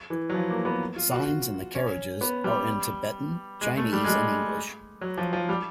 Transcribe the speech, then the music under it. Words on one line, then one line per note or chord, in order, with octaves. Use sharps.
Signs in the carriages are in Tibetan, Chinese, and English.
E3
F#3
F3
A#3
B3
F4
F#4
C#4
B3
G3
G#3
A3
G3
G#3
G3
F#3
F3
F3
G3